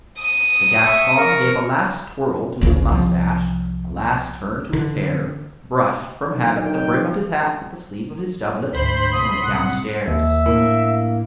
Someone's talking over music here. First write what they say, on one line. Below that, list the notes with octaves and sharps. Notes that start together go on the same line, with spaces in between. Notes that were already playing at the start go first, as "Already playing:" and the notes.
The Gascon gave a last twirl to his mustache, a last turn to his hair, brushed, from habit, the brim of his hat with the sleeve of his doublet, and went downstairs.
D#6
E5 C#6
A#4 A#5 C#6
D1 G#1 D2 C#3
C2 F3
D3
D3 F#3 D#4
D#3 G5
D2 G#2 C5 B5 C6
A2 D#6
C2 F#5
D#2 E5
A2 A#3 D4 E4